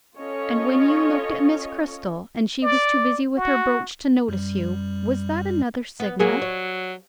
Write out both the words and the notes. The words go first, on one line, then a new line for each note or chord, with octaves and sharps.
"And when you looked at Miss Cristel, and she was too busy with her brooch to notice you, was that another signal?"
C#4 F4 A4 C#5 D#5
D5
F#4
F#2 G3
B3
F#3 A#3 G#4 A#4
C#5